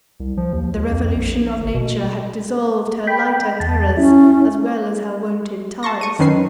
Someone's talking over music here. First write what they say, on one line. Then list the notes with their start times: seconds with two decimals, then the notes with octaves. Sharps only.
The revolution of Nature had dissolved her lighter terrors as well as her wonted ties.
0.20 C2
0.37 F3
0.53 D#2
0.74 C#2
0.90 F2
1.04 F2
1.15 A#1
1.60 G1
1.74 B2
3.07 G5 B5
3.60 E2 A5
3.97 C#4 E4
5.83 A5 C6 C#6 A#6
6.01 C#6 D#7
6.19 F#2 D#3 C#4 B4 C7